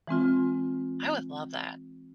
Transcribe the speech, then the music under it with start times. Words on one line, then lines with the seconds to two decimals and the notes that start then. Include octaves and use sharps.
I would love that.
0.07 E3 G#3 C4 F4